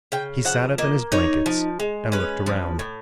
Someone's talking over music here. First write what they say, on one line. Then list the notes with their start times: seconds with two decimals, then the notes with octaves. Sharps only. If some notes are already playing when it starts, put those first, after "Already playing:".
He sat up in his blankets and looked around.
0.12 C#3 G5
0.45 F3 F#5
0.78 A#3 D#5
1.12 D#4 C#5
1.46 F3
1.80 G#3
2.12 C#4 B4
2.46 F3
2.79 A2